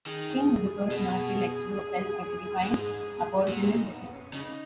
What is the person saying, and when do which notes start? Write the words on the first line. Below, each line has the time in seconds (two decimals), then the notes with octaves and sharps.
King was the first Massey lecturer of self-identifying aboriginal descent.
0.06 D#3 G#4
0.91 B2
2.62 G#2
3.48 A#2 F#4
3.70 D#4
3.91 B3
4.12 C#4
4.33 C#3 D#4